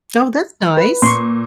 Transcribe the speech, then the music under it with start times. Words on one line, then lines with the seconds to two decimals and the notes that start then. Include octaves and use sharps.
Oh, that's nice.
0.77 B4
1.02 A#2 C6 C#6